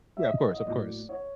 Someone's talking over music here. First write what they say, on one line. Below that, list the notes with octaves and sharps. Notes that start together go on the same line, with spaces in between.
Yeah, of course, of course.
E5
D#5
D#5
A2 F#3 A#3 D5
C#5